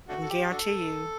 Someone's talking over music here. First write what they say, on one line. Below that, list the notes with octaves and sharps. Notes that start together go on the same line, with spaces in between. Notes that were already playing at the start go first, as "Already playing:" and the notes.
I can guarantee you,
A3 D4 F#4
A4
G4
D4 F#4 A4